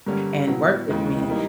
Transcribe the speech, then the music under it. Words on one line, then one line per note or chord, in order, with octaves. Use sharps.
and work with me."
G2 D3 G3 A#3 C#4
A2 F#3 B3
D#2 C#3 E3 G#3
E3 G3 A#3 D#4